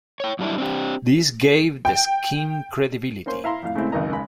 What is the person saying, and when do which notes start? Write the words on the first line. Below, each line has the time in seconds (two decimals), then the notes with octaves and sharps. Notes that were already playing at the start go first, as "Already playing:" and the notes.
This gave the scheme credibility.
0.20 C#5 G5
0.39 F#2 G3 D4 E4
0.58 C4 D4 G4
1.85 G5
3.26 A#3 C#4 C5 C6
3.44 E4 F5 A#5 C6
3.63 F2 A2 F5
3.75 A2 C#3 G#3 C4 E4
3.92 G#1 C#2 F#2 D#3 D#5 A#5
4.11 C#3 G#3 B5